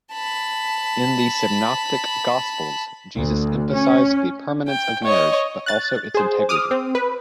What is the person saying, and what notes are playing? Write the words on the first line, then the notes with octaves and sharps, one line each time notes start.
In the synoptic Gospels, Jesus emphasized the permanence of marriage, but also its integrity.
A5 B5
D2
C#4
G5
C#5 D#5
F#6 A6
G#4 C5
D6 D#6 F6
C4
B4